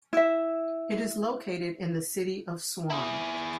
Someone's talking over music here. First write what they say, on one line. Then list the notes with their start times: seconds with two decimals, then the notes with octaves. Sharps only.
It is located in the City of Swan.
0.13 E4 E5
2.90 E4 G#4